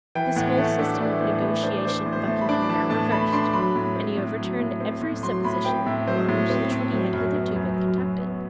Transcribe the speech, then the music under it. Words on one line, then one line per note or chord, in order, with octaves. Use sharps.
This whole system of negotiation Buckingham now reversed; and he overturned every supposition upon which the treaty had hitherto been conducted.
E3 G5
A2 F#5
A3 F#5
D4 E5
E3 D5
A2 C5
A3 B4
D4 C5
D5
E3 C5
A2
C5
A3
B5
D4
E3 A5
A2 A5
A3 B5
D4 C6
F#3 B5
A2
C4
A2
F#3
A2
C4
A2
F#3 C6
A2 B5
C4 G5
A2 E5
F#3 C5
A2
C4
A2
F#3
F#2
B3
F#2
F#3
F#2
B3